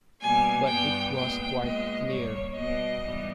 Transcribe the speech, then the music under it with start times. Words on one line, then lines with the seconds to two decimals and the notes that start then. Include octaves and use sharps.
But it was quite clear.
0.20 B2 G3 A#3 G#5
0.67 G2 G3 B3 G5
1.14 A#2 G#3 B3 G5
1.61 A#2 G#3 B3 D#5
2.08 G2 G3 A#3 C#5
2.55 B2 G3 B3 D#5
3.02 G#2 E3 G3 B3